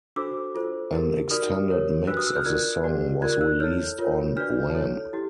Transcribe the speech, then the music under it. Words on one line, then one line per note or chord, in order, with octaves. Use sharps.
An extended mix of the song was released on Wham!
D4 F#4 A4 C5 D6 E6
F4 A4 C5
E4 G4 A#4
D#4 F#4 A#4 D5 D#6 F6
G4 A#4 C#5
D4 F#4 B4 E6 F#6
D#6 F6
E6 F#6
F6 G6
F4 A#4 D5 F#6 G#6
G4 B4 D5
F4 A#4 D5 F#6 G#6
E6 F#6
E4 A4 C#5 F6 G6
F4 A#4 C#5
D4 F#4 B4 D5 F6 G6
E4 A4 C#5
E4 G4